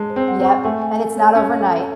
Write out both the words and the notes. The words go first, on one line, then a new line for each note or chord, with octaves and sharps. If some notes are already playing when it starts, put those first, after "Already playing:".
Yep, and it's not overnight.
Already playing: G#3 A5
C5
C4
F#5
C4 C#6
A3 G#5
G#5
A4
C#5
C#4 C#5
A4
A4